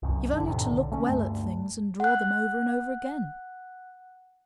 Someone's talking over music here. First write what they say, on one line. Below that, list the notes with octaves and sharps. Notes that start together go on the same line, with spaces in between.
You've only to look well at things, and draw them over and over again.
C2 F#2
G#1 D#2 D3 D4
F2 A2 C3 D#3
B1 D3
A3 C#4
D2 G2 A3
F#5 F#6